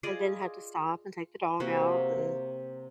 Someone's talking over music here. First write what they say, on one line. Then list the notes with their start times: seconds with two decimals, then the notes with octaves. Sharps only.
and then had to stop and take the dog out and
0.03 F4 G#4 D5 D#5
1.60 C3 A#3 F#4